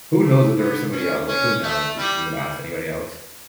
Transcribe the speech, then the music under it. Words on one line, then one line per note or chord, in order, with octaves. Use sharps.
who knows if there was somebody else? Like, who knows if she even asked anybody else?
A3
B3
C#4
C#4
A3
G3
G3